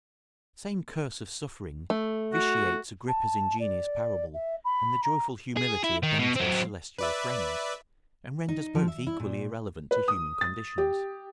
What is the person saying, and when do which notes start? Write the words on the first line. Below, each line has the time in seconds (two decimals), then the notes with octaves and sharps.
The same curse of suffering vitiates Agrippa's ingenious parable and the joyful humility of Dante's celestial friends, and renders both equally irrelevant to human conditions.
1.90 A3
2.34 F#4
3.07 A5
3.59 D5
4.34 E5
4.64 B5
5.03 A#5
5.57 G#4
5.84 E4
6.03 D#3
6.19 B2
6.36 F#3 C4
6.98 B4 D5 E5
8.49 D#4
8.75 F3
8.88 E5
9.07 E4
9.20 A#2
9.91 B4
10.08 D#6
10.41 A6
10.78 G4